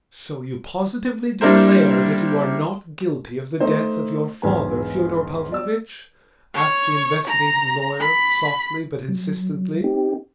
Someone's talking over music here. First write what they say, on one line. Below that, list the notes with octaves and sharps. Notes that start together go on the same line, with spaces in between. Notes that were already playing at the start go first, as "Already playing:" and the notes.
"So you positively declare that you are not guilty of the death of your father, Fyodor Pavlovitch?" asked the investigating lawyer, softly but insistently.
G3 A#3 D4 E4 A#4 C5
A3 D#4 C5
E1 B1 G#2 B3 G#5
D5 E6
C#5
A#5
B5
F#3
C4 D#4 G4